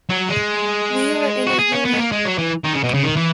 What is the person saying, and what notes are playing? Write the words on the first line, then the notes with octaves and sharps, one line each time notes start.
We are in a hurry.
F#3
G#3
F#4
G#4
C#4
B3
G#3
A#3
G#3
F#3
E3
D#3
C#3
B2
C#3
D#3
E3